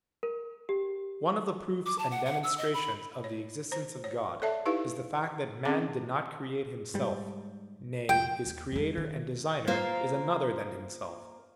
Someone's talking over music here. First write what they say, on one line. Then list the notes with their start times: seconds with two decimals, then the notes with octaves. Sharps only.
One of the proofs and demonstrations of the existence of God is the fact that man did not create himself: nay, his creator and designer is another than himself.
0.23 A#4
0.69 G4
1.86 D6
1.99 A5
2.11 F#5
2.26 F#5
2.43 E6
2.58 D#5
2.74 B5
3.24 C#5
3.72 C5 A#5
4.04 C#5
4.42 A4 C#5 D5 E5 A5
4.66 D#4 E4 G4 B4 F5
5.65 C4 C#4 G#4 D6
6.94 G#2 G3
8.09 F1 G5
8.46 D#2
8.72 F2 G#3
8.97 D#3
9.67 A#3 F4 C5